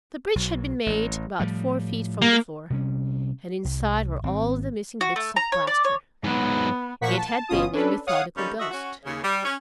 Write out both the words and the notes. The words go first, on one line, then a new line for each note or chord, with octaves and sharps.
The breach had been made about four feet from the floor, and inside were all the missing bits of plaster. It had been a methodical ghost.
B1 F#3
A1
A2 F3 G3
A#3
C3 G3 C#4
C2
G#1 C4
F#4
A3
A#5
C#5
D5
C#5
G#2 F#3 B3
A#2 F3 A#3 F#5 C#6 B6
A5
G1 B2 C#4 F4 D#6
C#4 D4 A4 B4
C#5 F5 F#5 D#6
D3 G3 A#3 C#4 D#4
F3 F#4 D#5 E5
C#4 F#4
D#2 C#3
G3
C#4